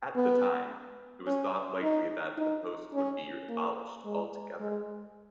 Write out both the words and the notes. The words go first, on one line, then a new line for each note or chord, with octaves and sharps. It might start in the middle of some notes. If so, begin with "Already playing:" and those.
At the time, it was thought likely that the post would be abolished altogether.
B3
C#4
D#4
D#4
C#4
A#3
G#3
G#3